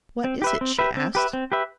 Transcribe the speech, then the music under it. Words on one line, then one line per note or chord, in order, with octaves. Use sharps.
"What is it?" she asked.
C4
G4 B4 E5
C4
G4 B4 E5
C4
G4 B4 E5
C4
G4 B4 E5